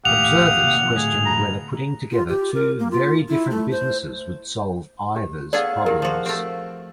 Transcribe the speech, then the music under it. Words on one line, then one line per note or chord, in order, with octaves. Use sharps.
Observers questioned whether putting together two very different businesses would solve either's problems.
A#1 D#2 A2 G4 F5 F#5 D#6 F7
G#1 C3 A#3
B2 F3
A2 D3 A3 G#4
A#5
F4
G4
A#4
A#3
F4
E4
A3
C5
G4
A3 B3 G#4 D5 F5
A#2 E4 G4 A#4
F3 F#4
A3 C4 G4